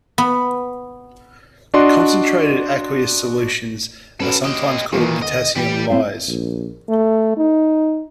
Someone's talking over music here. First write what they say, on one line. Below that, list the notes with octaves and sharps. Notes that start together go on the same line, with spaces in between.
Concentrated aqueous solutions are sometimes called potassium lyes.
B3
D4 F#4 D5 D#5 C6
C#4 F#4 A4 B4
G4 D#5
A#2 D#3 E3 A#3 F4
D2 D#5
E3 G3 G4
C4 E4 F5
A#1
A3
D#4